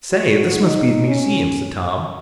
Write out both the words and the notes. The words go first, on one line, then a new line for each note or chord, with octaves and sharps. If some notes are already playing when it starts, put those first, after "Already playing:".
"Say, this must be the museum," said Tom.
F#4
D#4
C#4